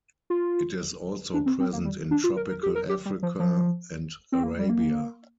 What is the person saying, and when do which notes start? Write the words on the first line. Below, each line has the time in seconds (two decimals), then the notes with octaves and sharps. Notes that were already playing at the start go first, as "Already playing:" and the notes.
It is also present in tropical Africa and Arabia.
0.30 F4
1.34 D4
1.46 C4
1.60 C4
1.73 A#3
1.85 G3
2.11 D4
2.24 F4
2.36 A#4
2.49 A#4
2.63 G4
2.75 A#4
2.89 G4
3.05 G3
3.23 F3
3.39 F3
4.32 C4
4.43 A#3
4.58 G3
4.69 A#3